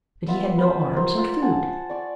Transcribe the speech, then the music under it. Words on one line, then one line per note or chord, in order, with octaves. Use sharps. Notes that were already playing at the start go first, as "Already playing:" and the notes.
But he had no arms or food.
B3 F4 E5
B4 C5
A#4 C5
F4
F#5 G#5 A5
D5 C#6